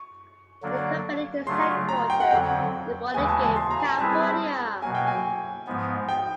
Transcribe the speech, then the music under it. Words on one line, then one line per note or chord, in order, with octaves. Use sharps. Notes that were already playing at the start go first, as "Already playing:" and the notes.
The company is headquartered in Burlingame, California.
Already playing: C#6
D3 F#3 A#3 D4
C#3 F#3 A3 D4 F4 C6
A#5
G5
F#5
F2 D3 F#3 G5
D#2 C#3 E3 G#3 G#5
A5
A5
C6
A#5
G#5
A5
G3 C4 E4 G#4 B4 A5
B2 F#3 A#3 G#5
G5
G#5
G#2 F3 G#3 B3
G5